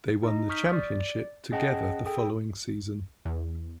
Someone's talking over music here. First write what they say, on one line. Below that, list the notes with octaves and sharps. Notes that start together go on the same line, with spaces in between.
They won the championship together the following season.
D#4 D#5
C#6 D#6 F6 G6 B6
D5
C#4 G#4 D#5 F#5 G5 A5
G#4 A4 G5
E2